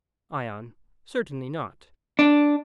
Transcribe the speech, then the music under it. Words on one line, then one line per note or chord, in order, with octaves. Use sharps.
ION: Certainly not.
D4